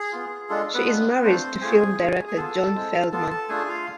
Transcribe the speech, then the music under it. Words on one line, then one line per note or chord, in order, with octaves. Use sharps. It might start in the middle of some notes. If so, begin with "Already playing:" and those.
She is married to film director John Feldman.
Already playing: G#4
B3 F4
G#3 D4 F4 A4
B3 B4
G#3 D4 F4
A3 C4 D4 F4 C5
A3 C4 F4 G#4 G#5
A3 D4 F4
G#5
B3 F4 A4 A5
G#3 C4 E4
B3 F4 A4 A5
A4 A5
A3 D4 F4 G#4 G#5
F4 F5